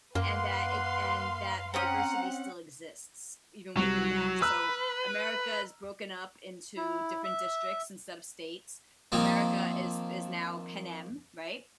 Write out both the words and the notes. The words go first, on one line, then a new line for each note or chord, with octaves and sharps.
and that it and that the diversity still exists, even within that, so America's broken up into different districts and sub-states, America is is now Panem, right?
F#2 A#3 B4 F5 F#5 C6
C4 C#4 F#5 A#5 D#6
C2 F#3
B4 A#5 E6 F6
E4
E5
D#3 F3 A#3 C4